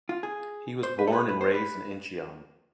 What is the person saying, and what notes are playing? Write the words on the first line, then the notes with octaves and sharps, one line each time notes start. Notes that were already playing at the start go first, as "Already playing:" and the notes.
He was born and raised in Incheon.
F4
G#4
C5
B4
A4
B4
B4
C5
B4